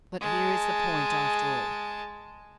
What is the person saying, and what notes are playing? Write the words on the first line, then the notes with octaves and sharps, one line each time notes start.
But here is the point, after all.
G#3 A5